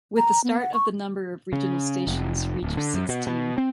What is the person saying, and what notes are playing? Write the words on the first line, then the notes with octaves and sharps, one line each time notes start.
With the start of the number of regional stations reached sixteen.
A#5
B3
F#5
C#6
C#3
F1
D1
D3
F#2
B2
B2
C4